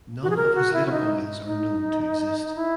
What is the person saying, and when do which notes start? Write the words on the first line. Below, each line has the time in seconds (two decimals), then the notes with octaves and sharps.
None of his later oils are known to exist.
0.23 F#4
0.30 G#4
0.36 A#4
0.55 F#4
0.73 E4
0.86 C#4
0.91 D#4
1.46 D#4
2.55 E4